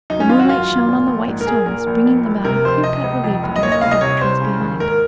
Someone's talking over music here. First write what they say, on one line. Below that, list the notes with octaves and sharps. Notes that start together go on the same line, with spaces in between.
The moonlight shone on the white stones, bringing them out in clear-cut relief against the dark trees behind.
F#2 D#4
C#4
G#1 F4
F#4
F#2 F4
G#1
A#2
A#1
G#2
A#4
A#1 G#4
A#2 A#4
A#1
F2
F#1
C3 A#4
F2 C5
C3 D#5
C#2
F2
F#1
D#5
A#2 C#5
D#5
C2 F5
D#5
C3 C#5
C2 C5
C#3
D#2
G#2 A#4